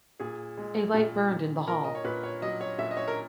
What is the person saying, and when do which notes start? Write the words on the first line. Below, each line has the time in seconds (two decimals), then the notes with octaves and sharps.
A light burned in the hall.
0.20 A#2 G#4
0.57 G#3
0.94 A#2
1.31 A#2
1.67 A#2 A#4
1.84 D#5
1.95 C#5
2.04 A#2 B4
2.23 C#5
2.42 F#3 D#5
2.61 C#5
2.78 A#2 E5
2.91 D#5
2.97 C#5
3.08 A#4